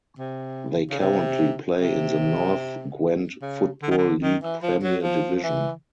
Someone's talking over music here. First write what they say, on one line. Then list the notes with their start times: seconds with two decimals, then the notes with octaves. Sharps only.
They currently play in the North Gwent Football League Premier Division.
0.19 C3
0.91 C#3
1.00 C3
1.81 C3
3.42 C#3
3.82 D3
3.91 D#3
3.98 D3
4.22 D#3
4.43 E3
4.63 F3
4.83 F#3
5.02 F3
5.36 F3
5.43 E3